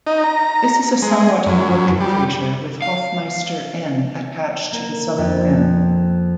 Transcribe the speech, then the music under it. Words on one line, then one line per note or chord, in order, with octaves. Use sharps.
This is a somewhat eroded crater with Hoffmeister N attached to the southern rim.
D#4
A#5
G#3
F#2
G3
F5
A#3
F2